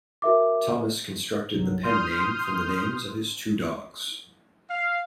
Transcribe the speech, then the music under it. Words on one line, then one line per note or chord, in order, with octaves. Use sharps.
Thomas constructed the pen name from the names of his two dogs.
F#4 A#4 E5 D6
C2 G2 C3 F#3
C6 D#6 F6 G6
F5